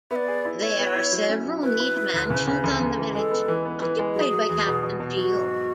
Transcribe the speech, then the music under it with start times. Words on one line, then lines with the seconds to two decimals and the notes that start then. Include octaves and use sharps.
There are several neat mansions on the village, occupied by Captain Geo.
0.11 B3 E5
0.16 D5
0.28 G#4
0.45 E4
0.62 E4 C#5
0.79 B3
0.95 E4
1.12 F#3
1.29 C#4
1.46 F#3
1.63 E4 B4
1.80 E4
1.97 E4
2.14 D2
2.30 C#3
2.47 C#3
2.64 D2
2.81 D2
2.98 E3
3.15 G#3 A4
3.31 B3
3.48 E3
3.65 B3
3.82 E3
3.99 G#3
4.15 F#3 G#4
4.32 F#3
4.49 E2
4.67 B2
4.83 B2
5.00 B2
5.17 F#3 F#4
5.34 G#2